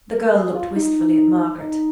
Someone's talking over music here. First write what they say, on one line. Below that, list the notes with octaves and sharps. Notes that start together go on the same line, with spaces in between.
The girl looked wistfully at Margaret.
A#4
G#4
F4
D#4